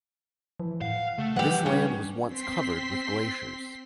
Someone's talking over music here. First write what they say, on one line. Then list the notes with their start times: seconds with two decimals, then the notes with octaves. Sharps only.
This land was once covered with glaciers.
0.60 E3 F3
0.81 A2 F5 F#5
1.18 C#3 A3
1.36 E3 F3 G3 G4 B4 F#5
1.66 G3 C#4 D4
2.27 C4 C6 B6 C7